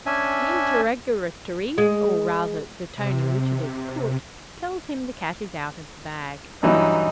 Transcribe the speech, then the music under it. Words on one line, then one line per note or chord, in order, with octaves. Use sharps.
The interrogatory, or rather the tone in which it is put, tells him the cat is out of the bag.
C#4 D4 E5 G#5
G#3
C3
G2 E3 F#3 D#4